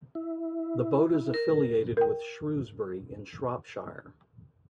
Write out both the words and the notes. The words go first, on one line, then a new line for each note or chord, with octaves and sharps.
The boat is affiliated with Shrewsbury in Shropshire.
E4
A#4
A#4 G5